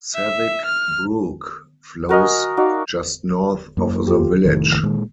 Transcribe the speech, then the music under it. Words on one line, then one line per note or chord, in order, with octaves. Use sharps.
Savick Brook flows just north of the village.
E5
F6
F#4 A#4 D#5 G#5
D#4 F#4 D5 F5
F#2 A#3
F4 G4
F1 A2 D#3
A#2 G#3